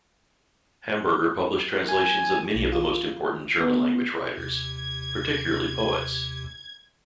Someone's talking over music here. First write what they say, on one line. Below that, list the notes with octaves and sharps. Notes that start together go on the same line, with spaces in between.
Hamburger published translations of many of the most important German-language writers, particularly poets.
G#5
B1
F4
B3
D#2 C3 G#6